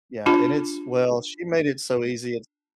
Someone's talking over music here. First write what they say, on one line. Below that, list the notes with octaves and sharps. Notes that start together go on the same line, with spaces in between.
Yeah, and it's well, she made it so easy it's
D4 F4 G4 A5